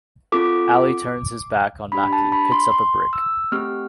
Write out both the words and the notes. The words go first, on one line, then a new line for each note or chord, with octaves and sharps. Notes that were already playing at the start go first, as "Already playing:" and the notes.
Ali turns his back on Macki, picks up a brick.
C4 F4 A4 D6
D4 G4 B5
A5
B5
C6
C6
E6
A3 C4 G4 F6